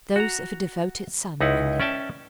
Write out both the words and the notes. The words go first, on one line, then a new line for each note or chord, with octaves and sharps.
'Those of a devoted son, Wendy.'
F#4 A#5
C#2 D#4 E4 F#5
C#4 D5 E5 G5 A5